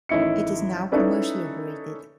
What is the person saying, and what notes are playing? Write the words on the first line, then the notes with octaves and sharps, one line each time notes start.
It is now commercially operated.
A1 D#3 E4 D#5 C#7
C#4 D#4 E4 A4 B4 D5